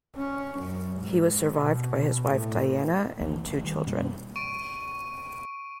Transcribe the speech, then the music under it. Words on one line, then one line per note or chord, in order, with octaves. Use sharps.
He was survived by his wife, Diana, and two children.
C#4
F#2
G#2
B2
A2
F#1 D2 E3 A#3
A1
D#3 G3
F#2 B2 G3 A#3
C#6 D7 D#7